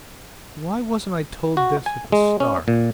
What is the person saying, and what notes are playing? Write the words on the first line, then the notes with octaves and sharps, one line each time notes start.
"Why wasn't I told this at the start?"
F#4
G#5
G#3
C#4
A#2